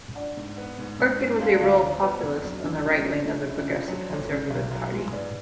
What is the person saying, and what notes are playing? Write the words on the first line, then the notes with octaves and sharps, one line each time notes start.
Orchard was a rural populist, on the right-wing of the Progressive Conservative Party.
D4 D5 F#5
G#2
B3
G#2
G#2
C#4
G#3 F5
D5
D2 C#5 F5
F3
B3 B4 D5
F2
F#3
G#1 D4
G#1
C#4
D4
F3
A3 D4
F1 D4
C#4 F4
F3
F#3 C#5
D5
G#1 A4 C#5
C#3
B1
B1
G#3
G#2 B4 D5